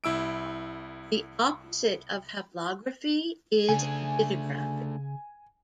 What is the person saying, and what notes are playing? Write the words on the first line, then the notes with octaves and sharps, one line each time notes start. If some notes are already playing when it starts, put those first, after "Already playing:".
The opposite of haplography is dittography.
C2 E4 E6 D7
C#3 A3 D4 G#5